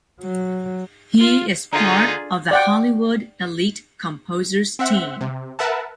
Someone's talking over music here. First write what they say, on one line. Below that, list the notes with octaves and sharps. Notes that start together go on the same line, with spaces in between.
He is part of the Hollywood Elite composers team.
F#3
F4
D3 D#4 F4 G#4 A#5
D5 F#5 G5
C4 E5 F#5
C3
A#4 B4 E5 F#5 A5